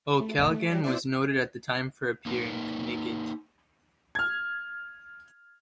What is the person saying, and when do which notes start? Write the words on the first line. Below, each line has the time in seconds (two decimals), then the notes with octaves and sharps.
O'Callaghan was noted at the time for appearing naked.
0.20 A3
0.38 B1 F2 C3 A#3 D#5 E6
0.50 A3
0.69 F#3 G3 G4
0.84 B3 E4 C5 D5 E5
2.26 A#3 D#4 A#4 B4
4.15 F6 G#6